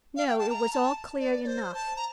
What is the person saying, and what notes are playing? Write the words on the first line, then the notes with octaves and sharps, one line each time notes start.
No, it was all clear enough.
F5
G5
A5
A#5
A5
D5
D5
C5
A5
A#5